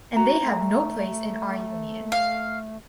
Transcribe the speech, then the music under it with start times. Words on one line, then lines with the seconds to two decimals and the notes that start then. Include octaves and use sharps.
And they have no place in our Union.
0.17 F#4 A#5
0.45 A3
2.12 F5